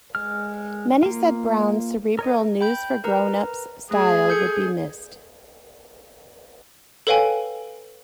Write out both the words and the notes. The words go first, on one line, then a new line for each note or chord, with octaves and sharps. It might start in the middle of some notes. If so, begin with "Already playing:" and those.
Many said Brown's cerebral "news for grown-ups" style would be missed.
G#3 F6
A#3 F4
A#4 C#5 D#5
G5 B5 G6
A#4 B4 A#5
A3 G#4
A4 G6 C#7
A4 B4 C#5 F5 G5 G#5